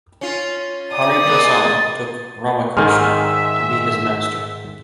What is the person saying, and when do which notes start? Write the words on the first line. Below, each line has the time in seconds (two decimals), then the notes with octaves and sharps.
Hariprasanna took Ramakrishna to be his Master.
0.21 C#4 F4
0.93 D5 D#6
1.25 G#3 A#3 B3 A6
2.77 G#2 D#3 E5 G#5 C6 F6